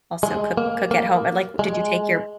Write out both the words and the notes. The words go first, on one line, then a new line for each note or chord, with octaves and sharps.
also cook cook at home, and, like, did you take your
G#3
A#3
A#3
G#3